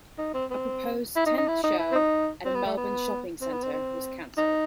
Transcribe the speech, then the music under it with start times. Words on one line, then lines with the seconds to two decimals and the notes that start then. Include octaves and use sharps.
A proposed tenth show at a Melbourne shopping centre was cancelled.
0.18 D#4
0.34 C4
0.51 C4
1.16 E4
1.26 D#4
1.38 D#4
1.48 E4
1.64 D#4
1.79 E4
1.92 C4
1.96 D#4
2.45 C4
2.55 B3
2.66 A3
2.77 B3
3.42 C4
3.53 B3
3.63 C4
3.73 C4
4.38 D#4